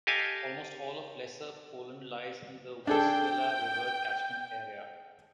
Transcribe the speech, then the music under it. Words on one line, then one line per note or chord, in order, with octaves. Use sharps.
Almost all of Lesser Poland lies in the Vistula River catchment area.
G4 A4 D#5 F5 G#5
D4 G#4 A4 G5